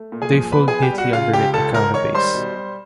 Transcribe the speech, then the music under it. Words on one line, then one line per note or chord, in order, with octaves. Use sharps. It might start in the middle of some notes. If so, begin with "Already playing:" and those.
They fold neatly underneath the carapace.
Already playing: A3
A#2
G#4 G#5
F3
B3 B4 B5
G#4 G#5
B3
G4 G5
G3
F#4 F#5
C#3 F4 F5
C#2 G4 G5
C#2 A4 A5
G#2 A#4 A#5
D#3 C#5 C#6
G3 C5 C6
B2
G3